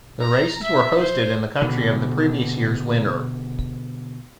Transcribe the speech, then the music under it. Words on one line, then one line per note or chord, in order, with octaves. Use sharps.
The races were hosted in the country of the previous year's winner.
A#5
E5
C5
B2 D3